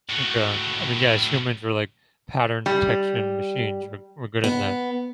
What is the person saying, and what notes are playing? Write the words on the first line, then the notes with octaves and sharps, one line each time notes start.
It's like, uh, I mean, yeah, as humans we're, like, pattern detection machines, we're, we're good at that.
A2 F#3
G3
B3